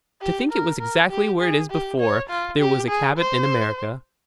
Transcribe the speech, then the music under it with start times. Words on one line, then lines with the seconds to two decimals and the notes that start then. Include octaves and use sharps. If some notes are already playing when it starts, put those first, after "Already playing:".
"To think it was exactly where it is before there was a Cabot in America!"
0.22 G4
0.51 A#4
0.81 A#4
1.10 G4
1.40 G#4
1.70 G4
2.00 C#5
2.30 F4
2.59 G4
2.89 G#4
3.18 C5